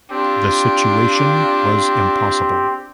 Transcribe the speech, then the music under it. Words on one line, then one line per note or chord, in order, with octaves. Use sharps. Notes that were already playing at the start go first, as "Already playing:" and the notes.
The situation was impossible.
C4 D4 F4 G4